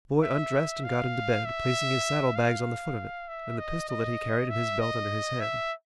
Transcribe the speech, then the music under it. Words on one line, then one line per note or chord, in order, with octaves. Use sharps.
The boy undressed and got into bed, placing his saddle bags on the foot of it, and the pistol that he carried in his belt under his head.
E5
F5
E5
F5
E5
D#5
D#5
E5
D#5
E5